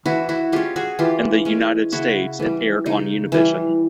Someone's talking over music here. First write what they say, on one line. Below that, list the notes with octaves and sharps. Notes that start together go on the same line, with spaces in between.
In the United States, it aired on Univision.
E3 E4 F#4
E4 F#4
G#3 C#4 F4 G4
F#4 G#4
E3 F4 G4
G#3 C#4
C#3 E4 F#4
E3 G3
C#3 D#4
E3 G3